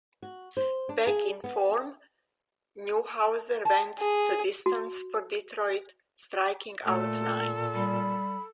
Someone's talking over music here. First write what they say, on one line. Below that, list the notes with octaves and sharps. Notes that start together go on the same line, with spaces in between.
Back in form, Newhouser went the distance for Detroit, striking out nine.
F#4
C5
D4
G#4
B3
A5
G#4
F#4
A#2 A3 A4
G3 B5